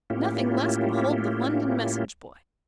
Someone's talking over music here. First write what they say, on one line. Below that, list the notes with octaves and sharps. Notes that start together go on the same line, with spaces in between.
Nothing less will hold the London message-boy.
A2 A#3 C#4 E4 F4 G4